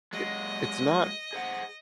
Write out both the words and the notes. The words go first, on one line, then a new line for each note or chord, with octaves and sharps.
i it's not
F#3 G#3 D#5
G#4 C5 F#5